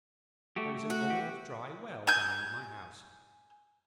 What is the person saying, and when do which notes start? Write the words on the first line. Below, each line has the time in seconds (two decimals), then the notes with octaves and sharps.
'There is an old, dry well behind my house.
0.56 A3 F#4 G4
0.75 A3
0.90 F#4
1.10 E3 G4
2.07 G#5 G6